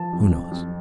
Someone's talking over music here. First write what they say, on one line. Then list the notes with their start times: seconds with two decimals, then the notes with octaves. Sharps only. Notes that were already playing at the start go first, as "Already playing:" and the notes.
Who knows?
Already playing: F3 A5
0.13 F2
0.32 F2
0.51 F2